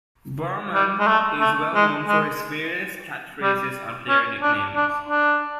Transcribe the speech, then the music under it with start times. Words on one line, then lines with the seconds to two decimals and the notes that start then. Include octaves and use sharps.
Berman is well known for his various catchphrases and player nicknames.
0.74 G3
0.99 G#3
1.07 A3
1.40 A3
1.75 G#3
2.08 G#3
3.42 G3
4.09 C#4
4.42 D4
4.76 D4
5.09 D4